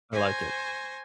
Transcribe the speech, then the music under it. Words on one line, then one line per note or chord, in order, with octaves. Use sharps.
I like it.
C5 G#5 C#6 A#6